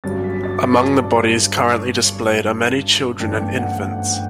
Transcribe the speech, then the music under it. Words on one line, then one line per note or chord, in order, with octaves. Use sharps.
Among the bodies currently displayed are many children and infants.
G1 G2 F#3 C#4 A6
B6
A6
A5
G1 F#2 E3 A3 D4 G5
G5
F#5
F#5
F#5
G5